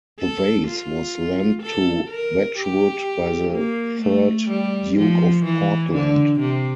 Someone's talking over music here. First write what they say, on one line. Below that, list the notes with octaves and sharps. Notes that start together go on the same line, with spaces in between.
The vase was lent to Wedgwood by the third Duke of Portland.
A4
F4
A4
A#4
G4
A#3
A3
G3
F3
E3
D3
C3